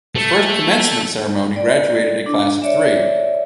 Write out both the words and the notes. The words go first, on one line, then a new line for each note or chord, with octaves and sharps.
The first commencement ceremony graduated a class of three.
A3
D5
D4
C#5 D5 E5